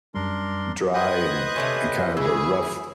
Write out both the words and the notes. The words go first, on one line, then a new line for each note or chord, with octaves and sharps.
dry and and kind of a rough
F#2 G3 D4 A#4 C6
B4 C5 D#5 G5 D#6 F#6 G#6
C3 A3 C#4 B5
C#3 E4 G#4 E6